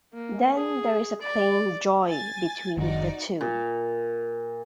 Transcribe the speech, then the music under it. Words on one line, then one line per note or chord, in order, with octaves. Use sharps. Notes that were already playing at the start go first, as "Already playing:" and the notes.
Then there is a plain Joy between the two.
A#3
G#4
D5
G#5 A6
F#1 D#3 D#4 F#4 D5
A#2